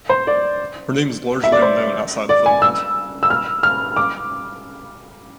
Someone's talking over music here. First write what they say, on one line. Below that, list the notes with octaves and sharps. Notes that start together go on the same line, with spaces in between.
Her name is largely unknown outside of the Philippines.
C5
D5
E5
D5
C5
D5
G#5
E6
E6
F6
F6
D6